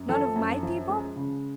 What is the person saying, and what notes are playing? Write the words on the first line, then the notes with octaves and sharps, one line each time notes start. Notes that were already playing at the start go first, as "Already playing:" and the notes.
None of my people?
Already playing: F#2
F3 A4
F#2
F3
G#3
C#3